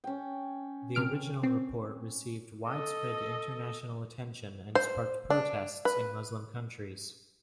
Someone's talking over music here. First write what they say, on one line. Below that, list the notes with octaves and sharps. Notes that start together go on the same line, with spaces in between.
The original report received widespread international attention and sparked protests in Muslim countries.
C#4 G5
C3 F6 D7
C4
A4 D#5
C5
D4
B4